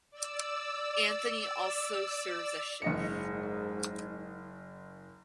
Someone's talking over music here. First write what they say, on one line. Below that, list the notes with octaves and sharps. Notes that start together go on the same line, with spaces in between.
Anthony also serves as chef.
D5 E6
F#1 G#2 D#5 C#7